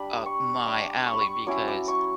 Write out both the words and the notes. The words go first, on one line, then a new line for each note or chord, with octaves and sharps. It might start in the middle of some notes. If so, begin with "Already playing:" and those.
up my alley," because
Already playing: G3 D4 B5
C#6
G3 D4 D6
C#6
B5
C#6
F#3 C#4 E4 D6
D6
C#6